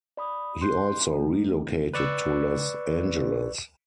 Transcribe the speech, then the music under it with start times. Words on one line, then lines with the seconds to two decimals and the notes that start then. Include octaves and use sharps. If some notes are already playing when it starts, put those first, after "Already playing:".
He also relocated to Los Angeles.
0.17 D5 B5 D#6
0.61 C6 F#6 G6 C7
1.12 A3
1.94 B4 D5 C#6 E6